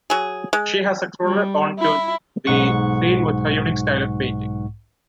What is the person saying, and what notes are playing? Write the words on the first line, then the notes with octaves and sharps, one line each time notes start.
She has exploded onto the scene with her unique style of painting.
F#3 G#4
G#3
G3
E4
B1 G#2 F#5 C#6